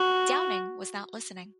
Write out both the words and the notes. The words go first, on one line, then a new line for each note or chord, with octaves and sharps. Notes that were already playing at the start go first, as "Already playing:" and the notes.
Downing was not listening.
Already playing: F#4